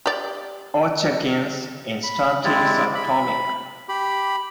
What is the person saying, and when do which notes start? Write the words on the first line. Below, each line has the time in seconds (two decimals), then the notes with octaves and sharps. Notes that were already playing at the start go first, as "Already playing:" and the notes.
All check-ins in StarTeam are atomic.
0.06 G4 D5
2.04 B5
2.44 G#3 C4 E4 G4 D5
2.95 B5
3.89 G4 B5